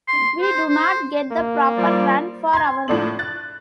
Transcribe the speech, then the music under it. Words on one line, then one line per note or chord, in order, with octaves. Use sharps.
We do not get the proper run for our money.
C6
C5
C5
A#3
F3 G3 D5
C6 G#6
A2 F3 D4 A4 F#7
F#6 A6